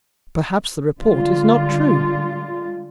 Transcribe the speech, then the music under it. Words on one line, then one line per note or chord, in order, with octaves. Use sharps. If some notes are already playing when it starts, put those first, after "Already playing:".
Perhaps the report is not true?
D3 G3 G#3 F4